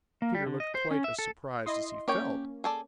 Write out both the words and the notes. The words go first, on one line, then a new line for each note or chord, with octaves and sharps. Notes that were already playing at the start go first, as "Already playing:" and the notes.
Peter looked quite as surprised as he felt.
A#3
G3
D3
D#5
C5
C#4
E5
A4
E4 D#5 C6
A#3 C#4 G4 C#5 G5
G#4 A4 D5